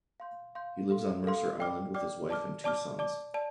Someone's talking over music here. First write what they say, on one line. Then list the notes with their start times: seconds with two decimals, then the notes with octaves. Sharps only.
He lives on Mercer Island with his wife and two sons.
0.20 F5 C6 G6
0.55 F5 C6 G6
0.90 A4 F5 C6
1.24 A4 F5 C6
1.60 D5 G5 D6 F6
1.94 D5 G5 D6 F6
2.29 D5 A5 D6 F6
2.64 D5 A5 D6 F6
2.99 D5 A5 D6
3.34 D5 A5